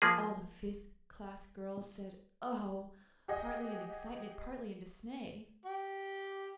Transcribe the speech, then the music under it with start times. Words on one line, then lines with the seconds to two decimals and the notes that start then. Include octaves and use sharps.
All the fifth-class girls said, "Oh!" partly in excitement, partly in dismay.
0.02 F3 A#3 G#4
3.28 G4 G#4 D#5 F#5
5.66 G4